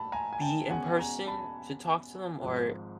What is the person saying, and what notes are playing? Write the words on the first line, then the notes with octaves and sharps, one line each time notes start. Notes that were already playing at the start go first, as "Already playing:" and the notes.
be in person to talk to them, or
Already playing: A2 A5 B5
G#5 A#5
G#5
G5 A5
E2 B2 G#3 C#4 F#5 G#5
G#5 A#5
A5 B5
G#1 G#2 F3